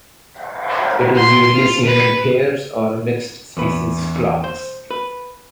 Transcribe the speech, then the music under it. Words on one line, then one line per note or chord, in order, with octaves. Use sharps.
It is usually seen in pairs or mixed-species flocks.
C6
F4
B4
E2 B4
C5
B4